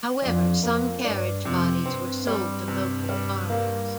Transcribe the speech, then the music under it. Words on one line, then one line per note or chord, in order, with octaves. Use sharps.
However, some carriage bodies were sold to local farmers.
F2 D4
F2 A#3
G2 D4
F2 C3
G2 C4
G3
C3
G3
A#3